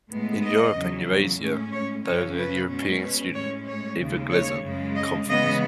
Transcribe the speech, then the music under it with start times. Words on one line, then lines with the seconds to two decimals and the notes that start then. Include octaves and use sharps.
In Europe and Eurasia, there is the European Student Evangelism Conference.
0.10 A2 G#3 B3
0.43 D#5
0.76 E2 C#3 F#3
1.40 A2 G#3 C#4
1.73 C#5
2.05 F#2 C#3 F#3 C#4 C#5
2.37 B4
2.69 B2 G#3 C#4
3.03 B4
3.34 A2 G#3 C#4 C#5
3.66 C#5
3.99 D#2 C#3 G#3
4.32 C#5
4.64 F#2 C#3 G#3
4.96 D#5
5.29 C#3 E3 G#3 B3 D#5